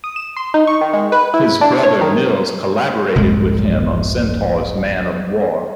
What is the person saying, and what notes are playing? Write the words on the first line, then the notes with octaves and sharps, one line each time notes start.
His brother Nils collaborated with him on Centaur's Man of War.
D#6
E7
C6
D#4
C#6
D#3
G#3
B4
E4
D4
C#5
D#3
F1 C2 G#2 G#3